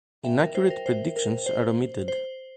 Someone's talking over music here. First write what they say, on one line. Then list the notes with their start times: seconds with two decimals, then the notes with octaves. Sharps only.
Inaccurate predictions are omitted.
0.24 E5 G5
0.39 A#4
0.55 C5
0.70 A#4
0.86 C5
1.16 A#4
1.46 C5
2.08 C5